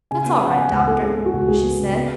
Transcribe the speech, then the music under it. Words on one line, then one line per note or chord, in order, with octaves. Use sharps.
"That's all right, Doctor," she said.
C#3 G#5
B3
C#3
F#5
B3 G#5
C#2 F#5
B3 A4
G#3 G#4
G#3
F#4
C#2
C#2 G#4
B3
C#3
B3